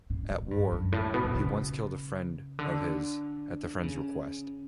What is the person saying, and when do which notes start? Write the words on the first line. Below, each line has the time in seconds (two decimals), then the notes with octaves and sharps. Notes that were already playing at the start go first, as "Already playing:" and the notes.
At war, he once killed a friend of his at the friend's request.
0.10 A2
0.31 B2
0.51 G2
0.72 F#2
0.92 A2
1.14 B2
1.24 B2
1.35 C#3
2.59 D3
3.83 C#3